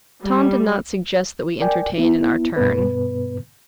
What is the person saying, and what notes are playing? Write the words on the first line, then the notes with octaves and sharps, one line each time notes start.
Tom did not suggest that we entertain in our turn.
G3
A#4 D5 G5 G#5
B3 E4
G2 B2 B3 B4